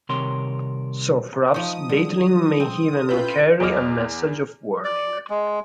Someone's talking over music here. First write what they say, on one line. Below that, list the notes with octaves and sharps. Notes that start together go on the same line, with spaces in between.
So, perhaps, Battling may even carry a message of warning.
C2 C3 D#3 A#4 C#5 C6
F3 D#4 D#5 F5 C#6 D#6
D3 D#3 F3 G3
C4
C4 C#4 E4 F4 A4 B4 B5 G6
E2 G#4 D#5 D6 F6
D5
G#3